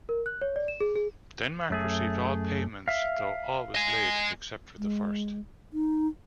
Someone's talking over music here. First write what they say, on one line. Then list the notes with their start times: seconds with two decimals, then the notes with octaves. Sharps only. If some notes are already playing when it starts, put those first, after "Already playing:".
Denmark received all payments, though always late except for the first.
0.09 A#4
0.26 F#6
0.41 C#5
0.56 D5
0.68 E7
0.80 G#4
0.96 G#4
1.70 F#2 A3 G#4
2.88 E5 F5
3.75 D#5 G#5
4.78 G#3
5.73 D#4